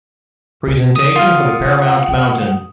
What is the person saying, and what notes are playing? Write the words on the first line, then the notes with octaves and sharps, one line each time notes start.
Presentation for the Paramount mountain.
D#6
F4 F5 F#5